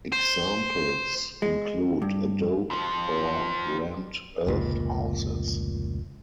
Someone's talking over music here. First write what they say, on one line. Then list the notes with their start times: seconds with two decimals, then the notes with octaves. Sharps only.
Examples include adobe or rammed earth houses.
0.13 C5
1.42 G#3
2.02 G2
2.70 F2 F3
4.47 F1 C#2 A#2